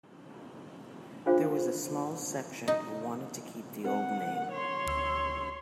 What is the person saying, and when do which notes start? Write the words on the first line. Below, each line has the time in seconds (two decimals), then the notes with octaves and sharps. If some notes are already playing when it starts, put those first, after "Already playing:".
There was a small section who wanted to keep the old name.
1.26 D4 F4 G#4 C5 F5
2.68 D#4
3.85 C4 A#4 F#5
4.52 C#5 C6
4.87 D2 E6